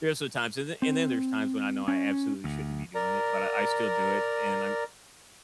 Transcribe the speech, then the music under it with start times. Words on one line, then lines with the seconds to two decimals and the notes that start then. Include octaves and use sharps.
there's times and then and then there's times when I know I absolutely shouldn't be doing it, but I I still do it, and I'm
0.82 C4
1.88 C#4
2.44 D2
2.95 A#4 D5 A#5